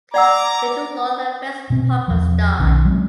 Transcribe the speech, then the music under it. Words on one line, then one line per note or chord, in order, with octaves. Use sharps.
Peter Lorre and Fess Parker starred.
D5 F#5 A#5 D6 E6
B2 C4
E2 F3
B1 D#3 C#4
F#3 G#3 A#3 C4